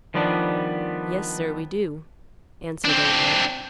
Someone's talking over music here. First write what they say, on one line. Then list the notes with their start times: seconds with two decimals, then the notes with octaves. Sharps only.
"Yes, sir, we do," answered Old Matt.
0.14 D#3 F3 G3 B3 D4
2.85 C4 D4